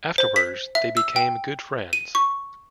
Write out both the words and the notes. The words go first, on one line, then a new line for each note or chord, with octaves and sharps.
Afterwards they became good friends.
C5
B6
E5
E6
G5
D#7
C#6